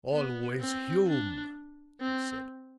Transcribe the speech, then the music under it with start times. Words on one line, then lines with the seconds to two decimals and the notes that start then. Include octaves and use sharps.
"Always Hume," he said.
0.13 B3
0.60 C4
1.07 D4
2.01 C4